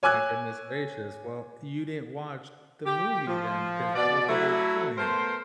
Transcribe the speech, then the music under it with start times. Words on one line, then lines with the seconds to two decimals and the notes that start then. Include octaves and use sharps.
My goodness gracious. Well, you didn't watch the movie then, because that was the whole point.
0.03 C#5 G#5 D6 E6 F#6 G#6
2.86 G4
3.28 F3
3.95 B2 D5
4.29 F#3 A3 E4
4.98 A3 B3 A#4 C5